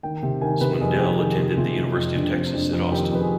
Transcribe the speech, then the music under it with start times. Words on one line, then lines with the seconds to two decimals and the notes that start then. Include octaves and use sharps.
Swindell attended the University of Texas at Austin.
0.03 D#3 G5
0.23 C3 G5
0.41 D#3 G#5
0.61 C3 B4
0.72 B4
0.80 F2 G#4
1.00 F2 G4
1.19 D#3 G#4
1.38 C3 G#4
1.57 C3 F4
1.76 C3
1.96 F2 F4
2.15 C3 D4
2.34 F2 C4
2.53 F2 D4
2.72 F2 F4
2.91 D#3 G4
3.11 F2 B4
3.21 G#4